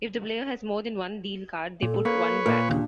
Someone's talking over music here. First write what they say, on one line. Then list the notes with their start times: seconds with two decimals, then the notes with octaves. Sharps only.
If the player has more than one Deal card, they put "one" back.
1.82 A#2 A4
2.05 A#3 B4 C#5
2.46 A#2 A#4 D5
2.69 D#2 C#3 D4